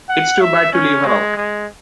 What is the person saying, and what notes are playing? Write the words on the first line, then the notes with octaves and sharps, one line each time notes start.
It's too bad to leave her out.
F#5
E5
C#4
G#3
G#3